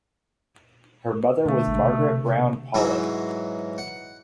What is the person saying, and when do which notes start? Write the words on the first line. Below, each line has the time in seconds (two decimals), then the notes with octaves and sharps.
Her mother was Margaret Brown Paulin.
1.46 B2 D3 A3
1.67 G#1
1.83 C3
2.74 G#2 E3 F#3 E4 G#4
3.78 F#5